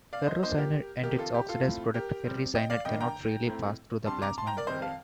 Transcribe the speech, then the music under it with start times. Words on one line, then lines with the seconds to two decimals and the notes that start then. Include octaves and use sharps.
Ferrocyanide and its oxidized product ferricyanide cannot freely pass through the plasma membrane.
0.13 D5 F5
0.27 C5 D#5
0.43 A#2 F3 A#3 D4 C5 D#5
0.57 G4 A#4
1.03 F2 C3 D#3 A#3 G4 A#4
1.18 F4 A4
1.34 G4
1.49 F4 A4
1.64 A2 A3 C4
1.94 G4 A#4
2.24 C3 G3 C4
2.55 D#5 G5
2.70 D5 F5
2.85 G2 D#3 A#3 D4 D#5 G5
3.00 G5 A#5
3.47 A2 A3 C4
4.06 C3 G3 D4 A5 C6
4.22 A#5 D6
4.38 A5 C6
4.47 G5 A#5
4.57 A#4 D5
4.67 F2 D#3 G3 C4 C5 D#5
4.82 F5 A5